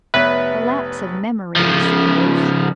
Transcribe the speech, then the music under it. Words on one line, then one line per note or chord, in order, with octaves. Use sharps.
A lapse of memory, I suppose.
F1 B3 B4 C#5 E5
C#3 F3